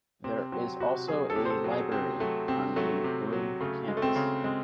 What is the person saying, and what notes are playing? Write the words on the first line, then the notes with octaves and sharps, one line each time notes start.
There is also a library on the Broome Campus.
C3 C4
F#3 C4
C3 F#4
F#3 G#4
A4
C3
C5
A4
F#3
G#4
C3 C4
F#3 A3
C3 C4
F#3 A3
C3
F#3
C#3 A3
G#3
A3
C4
C#3
G#3 C4